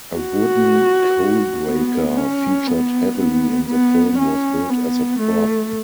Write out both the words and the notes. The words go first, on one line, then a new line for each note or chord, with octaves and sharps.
A wooden coal breaker featured heavily in the film was built as a prop.
F#4
B3
C#4
B3
B3
B3
C#4
B3
A3